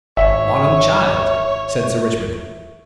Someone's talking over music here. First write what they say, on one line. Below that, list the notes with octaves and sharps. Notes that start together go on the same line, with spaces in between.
"Modern child," said Sir Richmond.
G#1 C#5 E5